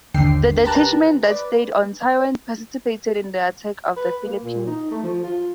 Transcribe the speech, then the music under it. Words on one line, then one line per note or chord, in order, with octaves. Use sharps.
The detachment that stayed on Taiwan participated in the attack on the Philippines.
G1 D#2 D3 G5 C7
G4 A#4 B4 A5 A#5 F#6
B4 D5
B4
A#3
A#2
D#4
A3
F3
F4